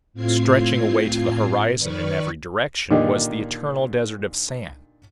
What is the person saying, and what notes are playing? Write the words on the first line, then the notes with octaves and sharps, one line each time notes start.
Stretching away to the horizon in every direction was the eternal desert of sand.
A2 C4 F4 G#6 C7
D#3 B4 D5 C#6 F6
A#2 D3 D#3 D4 D#4 G4